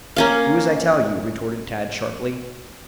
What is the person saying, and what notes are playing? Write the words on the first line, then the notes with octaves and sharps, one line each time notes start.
"Do as I tell you," retorted Tad sharply.
A#3 C#4 F5